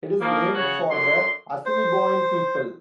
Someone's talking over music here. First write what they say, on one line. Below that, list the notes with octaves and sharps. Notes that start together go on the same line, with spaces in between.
It is named for the Assiniboine people.
F3 A#3
C#3 F#4 C#5
F#2 D3 F#3 C6
C5